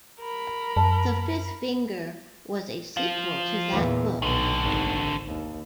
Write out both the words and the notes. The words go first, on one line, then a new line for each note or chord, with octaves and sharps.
"The Fifth Finger" was a sequel to that book.
A#4 B5
F#2 A5
F3 F4
E2 A#2
B1 D3 D#3
G#1
D#2